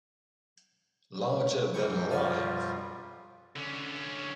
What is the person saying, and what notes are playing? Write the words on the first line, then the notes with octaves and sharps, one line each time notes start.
Larger than Live.
C2 F#2 E3 C#6 G6
F#2 B2 F3 G3 F4 G#5
D3 C#4